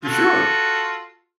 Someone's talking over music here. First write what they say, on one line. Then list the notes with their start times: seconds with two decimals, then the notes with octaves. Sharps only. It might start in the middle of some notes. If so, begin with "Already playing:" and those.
For sure!
0.05 F4 F#4 A4